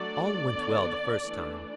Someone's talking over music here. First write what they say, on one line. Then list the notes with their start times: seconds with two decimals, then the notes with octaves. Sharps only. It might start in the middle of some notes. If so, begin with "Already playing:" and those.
All went well the first time.
Already playing: F#3 A3 D4 D5
0.50 D3 B3 D4
1.21 E3 A3 D4